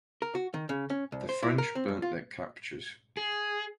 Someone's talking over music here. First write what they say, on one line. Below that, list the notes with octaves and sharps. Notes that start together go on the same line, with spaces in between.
The French burnt their captures.
A#4
F#4
D#3
C#3
C#4
C2
C5
E4
A#4
C4
F#2
F4
G#4